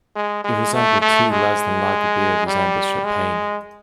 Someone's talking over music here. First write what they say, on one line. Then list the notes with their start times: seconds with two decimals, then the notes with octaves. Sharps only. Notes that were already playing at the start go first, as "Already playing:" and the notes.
It resembled tea less than lager beer resembles champagne.
0.15 G#3
0.44 G#3
0.73 A3
1.01 A3
1.30 G#3
2.46 G3
3.04 G#3